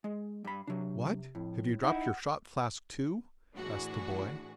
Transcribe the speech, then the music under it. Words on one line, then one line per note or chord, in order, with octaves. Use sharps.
'What! have you dropped your shot-flask too?' asked the boy.
G#3
G2 B5
C3 F#3 D4
F2 A2
D#4 E4 F#5
A2 E3 D4 F#4 G#4